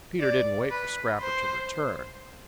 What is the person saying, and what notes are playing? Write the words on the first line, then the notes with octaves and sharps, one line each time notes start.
Peter didn't wait for Scrapper to return.
D5
B4
C5